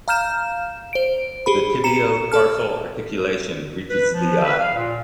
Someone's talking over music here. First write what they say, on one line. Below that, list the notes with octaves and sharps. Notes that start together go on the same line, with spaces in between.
The tibio-tarsal articulation reaches the eye.
F5 A#5 F6 G6 E7
C5 D7
G4 G#4 B5
A#5 C#7 E7
A4 A5 F6
B4
F3
B4
F5
A#2